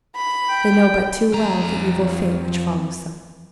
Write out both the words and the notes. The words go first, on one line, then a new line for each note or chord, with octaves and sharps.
They know but too well the evil fate which follows them.
B5
G5
F2 A#5